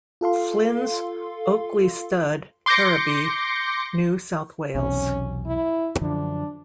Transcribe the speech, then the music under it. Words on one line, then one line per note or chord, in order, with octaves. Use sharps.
Flynn's Oakleigh Stud, Kerrabee, New South Wales.
F4 A4 F5 C6
C6 D6 G6 A#6 C#7
B1 E2 C3 C#4
E4
F#2 D3 F3 D4